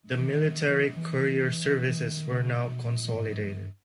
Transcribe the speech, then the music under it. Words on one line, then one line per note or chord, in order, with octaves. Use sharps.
The military courier services were now consolidated.
E3
D#3
E3
E3
E3
D#3
C#3
B2
A#2
G#2
G2